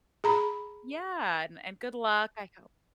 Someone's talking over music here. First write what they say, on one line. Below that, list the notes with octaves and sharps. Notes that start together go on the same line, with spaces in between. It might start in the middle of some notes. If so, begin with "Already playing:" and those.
Yeah, and and good luck, I hope
G#4 A#5 B5